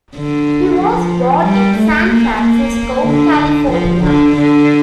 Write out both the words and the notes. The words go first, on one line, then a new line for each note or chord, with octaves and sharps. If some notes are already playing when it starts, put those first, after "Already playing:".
He was born in San Francisco, California.
D3
F3
G3
A3
A#3
A#3
D3
D3
F3
D3
D3